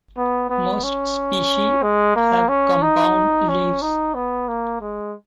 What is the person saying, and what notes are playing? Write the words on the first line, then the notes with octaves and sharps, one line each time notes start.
Most species have compound leaves.
B3
B3
C#4
G#3
A#3
C#4
D#4
C#4
D#4
B3
A#3
G#3